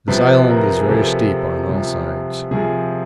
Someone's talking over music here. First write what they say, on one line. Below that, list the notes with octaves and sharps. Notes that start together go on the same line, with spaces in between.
This Island is very steep on all sides.
C3 F3 B4
A#4
G#4
C3 F3 A4
C3 F3
C3 F3 G#4